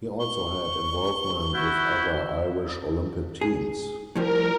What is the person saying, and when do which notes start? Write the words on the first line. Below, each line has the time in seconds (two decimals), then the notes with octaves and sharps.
He also had involvement with other Irish Olympic teams.
0.19 C#6 G7
1.54 E4 F#4 F#6 G6
3.41 G#4
4.15 A2 F3 G3 A#4